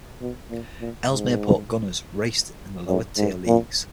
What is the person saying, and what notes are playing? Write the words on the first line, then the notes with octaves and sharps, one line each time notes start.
Ellesmere Port Gunners raced in the lower tier Leagues.
B2
A#2
A#2
G#2
F#2
G#2
A#2